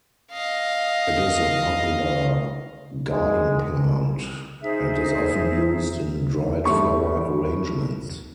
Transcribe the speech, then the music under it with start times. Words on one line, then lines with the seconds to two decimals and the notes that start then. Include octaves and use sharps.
It is a popular garden plant and is often used in dried flower arrangements.
0.32 D#5 F5
3.11 G#3
4.62 D#4 G#4 C5 E5
6.65 G2 A3 C#6